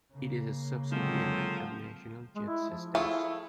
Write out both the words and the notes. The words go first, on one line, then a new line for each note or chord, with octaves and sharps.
It is a subsidiary of National Jet Systems.
C#3 A#3
D3 F3 F#3 G#3 C4
G#3
E4
F3
A3 E4 F4 G#4